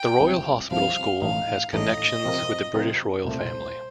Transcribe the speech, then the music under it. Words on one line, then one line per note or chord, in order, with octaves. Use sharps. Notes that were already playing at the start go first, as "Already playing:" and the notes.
The Royal Hospital School has connections with the British Royal Family.
Already playing: G5
C2 C3 F3
C2 C3 F3 F5
A1 A2 A3 D#4 F5
A1 A2 A3 D#4 D#5
C3 F3 C4 F4 A#4
C3 F3 C4 F4 A#4
C2 A#2 A3 C5